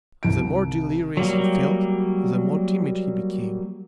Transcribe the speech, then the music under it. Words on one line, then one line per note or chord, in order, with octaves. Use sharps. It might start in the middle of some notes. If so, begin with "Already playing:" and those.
The more delirious he felt, the more timid he became.
C2 D7
F#3 G3 A#3